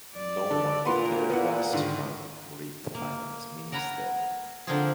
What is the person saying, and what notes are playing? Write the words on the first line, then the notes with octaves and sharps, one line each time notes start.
No one will care a brass farthing for it Finance minister.
D5
D3 A4
A#2 A#4 B4 F#5 C6
B3 E4 F4 F#5
G#2 D3 D#3
A#3
A#4 F#5 G#5 A#5 B5
D3 F3 A#3 C4 F4 G#4